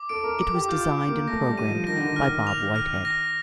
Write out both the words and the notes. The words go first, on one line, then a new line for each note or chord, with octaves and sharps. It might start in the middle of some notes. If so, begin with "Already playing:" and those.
It was designed and programmed by Bob Whitehead.
Already playing: D6
A4 D7
A#4
D6
G4
F4 G6
D6
A#3
A3 A#6
G3
D#7
F3
D#3 A#6
D3
D#3
F6
F7
F6
A#6